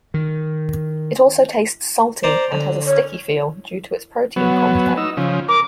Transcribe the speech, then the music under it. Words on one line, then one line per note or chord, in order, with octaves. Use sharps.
It also tastes salty, and has a "sticky" feel due its protein content.
D#3
C5 D5 A#5
D3
C#5
F#3 B3
D#4 E6
C#3 F3
A#4 D6